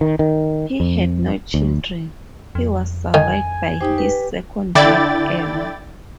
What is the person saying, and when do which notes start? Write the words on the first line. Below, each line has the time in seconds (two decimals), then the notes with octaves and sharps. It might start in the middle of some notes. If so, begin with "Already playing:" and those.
He had no children; he was survived by his second wife Emma.
0.01 D#3
0.19 D#3
0.80 F2
1.54 D2
2.55 F2
3.14 D#3 G#5
3.81 D#4 G4 C5
3.98 B4
4.75 D3 E4 D5 G5 A6